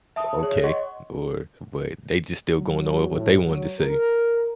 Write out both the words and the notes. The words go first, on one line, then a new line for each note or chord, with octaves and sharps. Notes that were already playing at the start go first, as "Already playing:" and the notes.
"Okay, or" but they just still going over what they wanted to say.
E5 A5 D#6
G#4 C#5
C#5 D#5 F#5 C6 C#6
F#3
A2
F#3
A#4